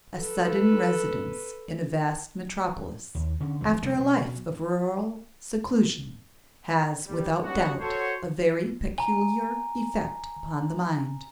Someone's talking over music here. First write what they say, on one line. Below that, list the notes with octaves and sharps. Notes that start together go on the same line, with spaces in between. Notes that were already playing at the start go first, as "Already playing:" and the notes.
A sudden residence in a vast metropolis, after a life of rural seclusion, has without doubt a very peculiar effect upon the mind.
A4 B4
D#2
D3 C#4
F2 D3 E3 F#3
F1 C3 G3 A#3
B2 F#3
G3
F#3 G3 B3 C#4 D#4 F#4
F#4 A4 C5 C#5
G#5 A#5